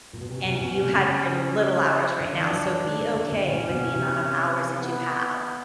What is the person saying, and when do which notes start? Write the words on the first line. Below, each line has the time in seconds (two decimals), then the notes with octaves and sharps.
and you had kinda little hours right now, so be okay with the amount of hours that you have.
0.13 A#2
0.21 B2
0.29 C3 C#4
0.45 C3
0.61 B2
0.77 C3
0.93 C#3
2.21 D3 D4
2.36 E3
2.53 F#3
2.61 F3
2.69 E3
2.84 D#3
3.01 D3
3.16 D3
3.32 D3
3.48 A#2 C#4
3.69 B2
3.91 C3
4.76 B3